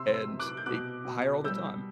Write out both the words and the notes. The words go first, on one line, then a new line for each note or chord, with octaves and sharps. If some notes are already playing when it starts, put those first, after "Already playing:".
and it higher all the time.
Already playing: C3 C6 E6
C6 E6
C3
D6 F#6
G6
B2 D6 F#6
B2
G3 E6 G6